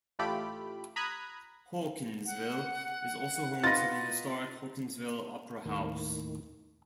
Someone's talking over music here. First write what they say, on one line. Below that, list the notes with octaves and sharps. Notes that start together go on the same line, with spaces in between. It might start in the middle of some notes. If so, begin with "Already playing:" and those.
Hawkinsville is also home to the historic Hawkinsville Opera House.
A1 A3 F4 G4 B5 D7
A#5 B5 D#6 F#6 G#6
F#5
D#4 F4 B4 A6 A#6
D#2 A2 D#3